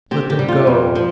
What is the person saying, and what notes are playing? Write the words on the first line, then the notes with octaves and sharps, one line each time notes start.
Let them go!
C3 G4
G4
G3
F4
F2
F3